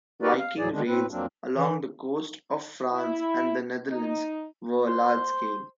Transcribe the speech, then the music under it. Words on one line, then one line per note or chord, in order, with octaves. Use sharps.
Viking raids along the coast of France and the Netherlands were large-scale.
D#4 F#4 G4 A#4 B4 D5
F5
D2 A2 F#3 G#4 D5
D3 D#3 G#3 D4
A2 C4 B4
F2 F#3 A#3 C4 D4
E3
E4
D#4
C5